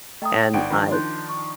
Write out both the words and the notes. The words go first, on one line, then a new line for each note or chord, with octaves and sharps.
and I
A3 D#5 G5 A#5 D#6
G1 D4 D#4 D5 F#5 G5 D7
D#3 F3 D4 G5 A#5 B5
D#4 E4 C6 F#6 G6
C#6